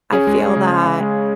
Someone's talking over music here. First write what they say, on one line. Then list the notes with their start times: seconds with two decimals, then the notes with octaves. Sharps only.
I feel that.
0.12 C#4 G#4
0.27 G#3
0.42 C#4
0.57 C#3
0.72 G#3
0.86 C#3
1.01 G#3